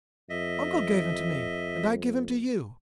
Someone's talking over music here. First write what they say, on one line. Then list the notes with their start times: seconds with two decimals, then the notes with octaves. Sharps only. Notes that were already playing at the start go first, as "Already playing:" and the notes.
Uncle gave him to me, and I give him to you.
0.30 F2 D#5 E5